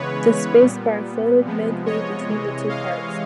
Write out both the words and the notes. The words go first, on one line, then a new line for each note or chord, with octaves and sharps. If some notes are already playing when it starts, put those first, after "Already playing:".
The space bar floated midway between the two parts.
Already playing: C#3 E3 G#3 B3 B4 C#5
A#2 G3 B3
C3 F3 G#3 B3
C#5 D#5
C3 E3 G#3
D#5 F5